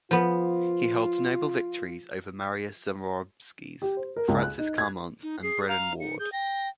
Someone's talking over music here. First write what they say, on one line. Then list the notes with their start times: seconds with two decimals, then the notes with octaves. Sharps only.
He holds notable victories over Marius Zaromskis, Francis Carmont, and Brennan Ward.
0.11 F3 B3 F4
3.82 G4
3.97 C5
4.16 A#4
4.28 C#2
4.42 F#6
4.58 D#4
4.78 G#6
5.23 D#4
5.43 G#4 C7
5.68 F5 A#5
6.00 D#4 C#7
6.19 G#4 G6
6.32 G5 A#6